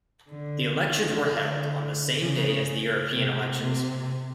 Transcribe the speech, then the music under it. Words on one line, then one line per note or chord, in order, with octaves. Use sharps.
The elections were held on the same day as the European elections.
D3
D#3
D3
C#3
C3
C3